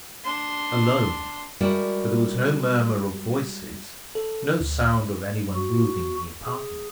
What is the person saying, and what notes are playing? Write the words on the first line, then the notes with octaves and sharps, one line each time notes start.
Alone; for there was no murmur of voices, no sound of any one moving in the apartment.
D4 C6
G3 G#3 E4 F#4 A#4 D5
A4
D2
F#4
G#4